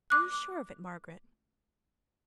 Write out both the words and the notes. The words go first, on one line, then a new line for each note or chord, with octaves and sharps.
Are you sure of it, Margaret?'
D6 F#6